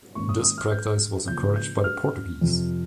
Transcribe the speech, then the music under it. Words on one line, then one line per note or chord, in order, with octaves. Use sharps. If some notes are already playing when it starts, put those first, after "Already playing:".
This practice was encouraged by the Portuguese.
G#2 D#3 A#3 C#4 C#6
D#6
D#6
F6
G6
C#3 F3 A#3 G6
G6
F6
F2 C3 F3